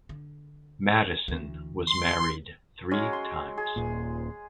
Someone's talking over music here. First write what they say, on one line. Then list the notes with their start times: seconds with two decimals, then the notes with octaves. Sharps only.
Madison was married three times.
0.09 D3
1.28 D2 E3
1.87 C6
2.91 F#3 G#3 C#4
3.13 C6
3.58 G#4
3.76 D#1 A#2